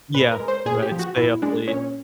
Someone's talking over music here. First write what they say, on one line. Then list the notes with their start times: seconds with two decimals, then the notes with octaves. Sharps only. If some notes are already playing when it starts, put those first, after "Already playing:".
Yeah. Right, stay up late.
0.14 A#2 B4
0.32 A#4
0.40 G#3
0.48 C5
0.66 A#2 G#4
0.82 G4
0.92 F3
0.99 F#4
1.17 A#2 E4
1.42 G#3 D4
1.67 A#2 C#4